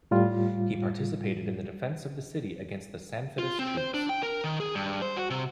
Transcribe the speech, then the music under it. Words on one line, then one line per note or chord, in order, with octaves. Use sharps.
He participated in the defence of the city against the Sanfedist troops.
A2 G3 F4
F4
C4
C5
D4
G5
A#4
D#3
G#4
G2
C5
F#4
C3